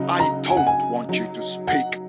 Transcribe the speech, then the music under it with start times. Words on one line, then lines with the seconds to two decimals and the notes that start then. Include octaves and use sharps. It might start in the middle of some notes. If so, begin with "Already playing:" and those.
I don’t want you to speak.
Already playing: C#3 F#3 D#4
0.20 A#5
0.50 G#5
0.57 F#5
0.67 G#5
1.09 F#3 D#4
1.68 F#5